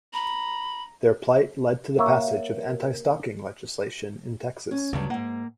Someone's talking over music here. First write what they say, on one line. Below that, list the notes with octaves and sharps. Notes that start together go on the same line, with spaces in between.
Their plight led to the passage of anti-stalking legislation in Texas.
A#5 B5
A#3 C#5 E5
C#4
D2 G2 C#3 F#3 G3
G#2 A#3 F#5